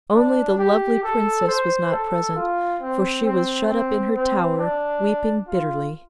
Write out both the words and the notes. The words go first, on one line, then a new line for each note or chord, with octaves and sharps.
Only the lovely Princess was not present, for she was shut up in her tower weeping bitterly.
D4
G4
A4
C5
A4
F4
C4
C4
C4
C4
D4
F4